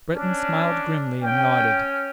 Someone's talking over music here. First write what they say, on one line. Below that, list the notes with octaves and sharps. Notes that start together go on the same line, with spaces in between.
Breton smiled grimly and nodded.
C#4 D4
C#4 G5